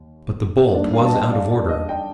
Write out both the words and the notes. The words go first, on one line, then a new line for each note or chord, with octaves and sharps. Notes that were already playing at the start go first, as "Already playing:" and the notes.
But the bolt was out of order.
Already playing: D#2
G2 D#3 A#3 D4 D5
D5 F5
A5
D#5 G5
D5 F5
D5
D#5
D#5 G5